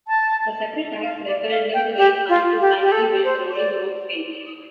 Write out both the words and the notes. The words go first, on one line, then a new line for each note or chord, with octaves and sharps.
A separate tax referendum to raise funds to finally build the rolling roof failed.
A5
F5
D5
F5
G5
G4
F4
G4
G4
A4
C5
D5